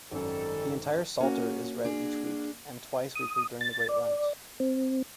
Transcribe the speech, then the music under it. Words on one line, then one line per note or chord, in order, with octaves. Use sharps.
The entire psalter is read each week, and twice weekly during Great Lent.
G#1 F#2 D#3 G3 A4
A#3 C#4 F#4
D4 G#4
D#6
A6
D5
C4